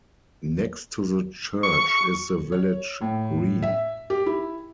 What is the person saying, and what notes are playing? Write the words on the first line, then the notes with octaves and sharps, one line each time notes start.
Next to the church is the village green.
C#6
C#5
A2
E5
G4
E4